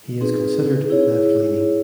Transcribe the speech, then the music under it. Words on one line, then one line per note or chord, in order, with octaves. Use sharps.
He is considered left-leaning.
C4 D#4 G#4 B4
E4 G#4 C#5